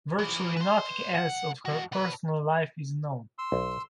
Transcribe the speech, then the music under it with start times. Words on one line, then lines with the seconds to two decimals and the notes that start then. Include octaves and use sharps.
Virtually nothing else of her personal life is known.
0.19 E3 F3
0.57 B4 C6
1.14 B1 F#5
1.66 F2 F#4
1.92 B2 B4
3.38 C6 E6
3.52 B1